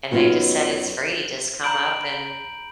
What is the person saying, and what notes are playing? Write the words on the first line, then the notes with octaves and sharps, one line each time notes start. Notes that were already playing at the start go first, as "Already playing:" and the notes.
and they just said "It's free, just come up and"
F#2 F#3 B3 D#4 F4
A#5 B5 G6 D7 F#7